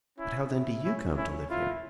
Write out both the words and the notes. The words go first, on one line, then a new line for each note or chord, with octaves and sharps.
"But how then do you come to live here?"
C#4 E4
E4
C#4 E4
C#4 E4
E4 F4